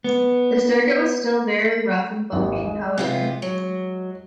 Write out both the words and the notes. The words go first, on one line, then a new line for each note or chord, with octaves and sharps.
The circuit was still very rough and bumpy, however.
B3
G#1 D#2
G#3
C3 B3 F4
F#3